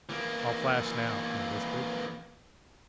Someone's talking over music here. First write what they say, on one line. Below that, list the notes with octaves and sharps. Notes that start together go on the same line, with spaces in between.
"I'll flash now," I whispered.
E3 A#3